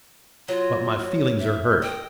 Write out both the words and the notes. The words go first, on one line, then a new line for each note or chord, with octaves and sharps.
But my feelings are hurt.
F#3 F4
E5
D#5 G5